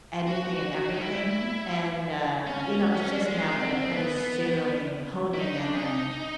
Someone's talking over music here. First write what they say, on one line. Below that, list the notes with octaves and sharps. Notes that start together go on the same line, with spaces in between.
anything and everything, and, uh, you know, it's just now that I'm kinda zeroing honing in on,
F#4
D#4
E4
C#4
G#3
C4
C4
B3
E4
D#4
D4
D#4